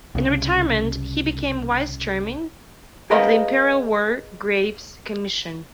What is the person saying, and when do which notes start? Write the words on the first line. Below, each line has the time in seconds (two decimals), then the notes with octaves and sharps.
In retirement he became Vice Chairman of the Imperial War Graves Commission.
0.15 C2 C#3
3.10 G#4 A#4 B4 D#5 F5 F#5